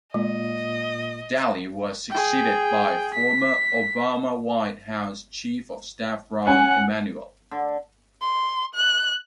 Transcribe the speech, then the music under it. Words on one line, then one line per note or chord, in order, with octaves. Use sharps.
Daley was succeeded by former Obama White House Chief of Staff Rahm Emanuel.
A#2 G#3 D#5
G#4 G5
B6
C#4 F#5 G#5
D3
C6
F#6